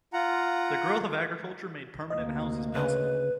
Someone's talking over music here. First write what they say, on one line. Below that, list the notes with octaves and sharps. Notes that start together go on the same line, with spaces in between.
The growth of agriculture made permanent houses possible.
F4 F#5 A#5
D2 C3 A#3 D#5
C#3 B4